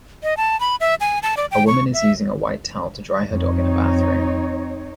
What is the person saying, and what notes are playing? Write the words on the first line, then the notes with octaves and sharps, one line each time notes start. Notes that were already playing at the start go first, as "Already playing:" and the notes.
A woman is using a white towel to dry her dog in a bathroom.
D#5
A5
B5
E5
G#5
A5
D5
G5
C#6
E5
F2 C4 D#4 C#5